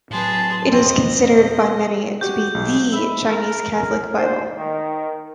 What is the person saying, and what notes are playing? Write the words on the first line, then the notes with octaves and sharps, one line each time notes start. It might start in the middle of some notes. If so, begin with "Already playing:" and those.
It is considered by many to be "the" Chinese Catholic Bible.
A2 F#3 G#4 B4 A5 C6
F2 B2 F3 C4 D#5
F#4 G4 G6
B1
G#2 E5 B5
A#4
A#2 C5
D#3